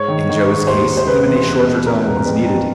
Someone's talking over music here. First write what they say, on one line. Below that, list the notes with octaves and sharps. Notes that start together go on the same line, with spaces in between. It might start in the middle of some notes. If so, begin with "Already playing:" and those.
In Joe's case even a shorter time was needed.
Already playing: G#2 C#5
D#3
D#3
G#2
D#2 C5
D#2
C5
C#3 B4
E3
E2
B2
B2 A#4
E2
F2
F2